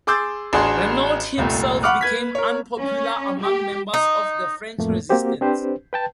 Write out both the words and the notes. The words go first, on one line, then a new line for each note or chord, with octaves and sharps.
Renault himself became unpopular among members of the French resistance.
G#4 C6 D6 E6 G6 A6
A1 D4 F#4 G#4 A5 C6
F1 C2 A#2 A3
F#5 B5 C#6 D6 F6 F#6
B4 G#6 B6
A#4 C#5
C#4
G4
D#4
F2 A2 A3 A#3
A#3 C4 F#4 G4 C5
C4 D4 G4 B4 C5
B4 G5 A5